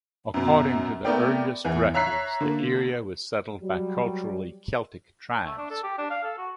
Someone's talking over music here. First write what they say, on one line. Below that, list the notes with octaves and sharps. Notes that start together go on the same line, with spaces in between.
According to the earliest records, the area was settled by culturally Celtic tribes.
F#2 B2
A3 B3 A#4 D5 G5
E2 E3
C#5 E5 A#5 F#6 B6 C7
D3 A#3
F#3 G3
A3
D4
A4
G4
D4
F5
A4
F#4